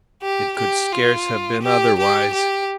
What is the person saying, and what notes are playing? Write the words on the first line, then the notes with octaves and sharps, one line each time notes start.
It could scarce have been otherwise.
G4
G4
F4
G4
G4
G4